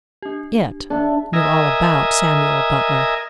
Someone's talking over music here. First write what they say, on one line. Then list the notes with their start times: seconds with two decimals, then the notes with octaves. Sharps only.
It knew all about Samuel Butler.
0.22 D4 G4
0.90 D4 G#4 E5
1.33 A#4 D#5 E5 G#5